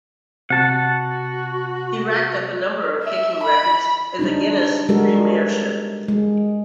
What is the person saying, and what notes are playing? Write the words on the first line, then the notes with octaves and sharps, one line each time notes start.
He racked up a number of kicking records in the Guinness Premiership.
C3 F#4 F#5 A5
E5
B5
G3 D4 D#4
G3 G#3 F#4 A4 A#4
G#3